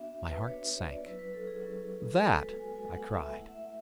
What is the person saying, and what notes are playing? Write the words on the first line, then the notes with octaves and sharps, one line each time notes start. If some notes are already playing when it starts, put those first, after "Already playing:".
My heart sank. "That!" I cried.
Already playing: B3 D4 F#4 E5
B4
B3 D4 F#4 C#5
C#5
C#5
D5
F#3 C#4 E4 B4
B4
A4
G#4
F#3 C#4 E4
G#3 B3 F#4 A4
B4
G#5
G#3 B3 F#4 G#5
F#5
F#5
E5
A3 E4 F#5
E5